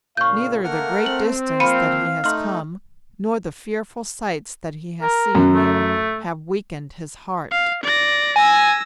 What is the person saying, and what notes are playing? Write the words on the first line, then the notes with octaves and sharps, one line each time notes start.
Neither the great distance that he has come nor the fearful sights that he has seen here have weakened his heart.
A#2 C#3 F5 C#6 G6
A3 A#3 A#4 F#5 F6
C4 F#7
F3 A#3 F5 B5 C#7 D#7
A3 D#4 C6 F6
A#4
F#2
A3
F5
D5 A#6
G#5 E6 A#6